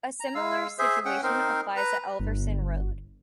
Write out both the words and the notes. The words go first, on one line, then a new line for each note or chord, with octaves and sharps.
A similar situation applies at Elverson Road.
A#5
G#3 F5 E6
G#4 C5 E5
C#4 F#5 G5
C4 D#4 A#4 C5
B4 A#5
G1